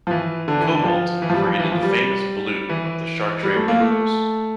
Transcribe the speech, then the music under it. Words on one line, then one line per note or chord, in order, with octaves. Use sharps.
Cobalt created the famous blue of the Chartres windows.
F3
E3
D3
E3
D3
F3
E3
F3
G3
F3
E3
F3
G3
E3
G3
A3
A#3
A3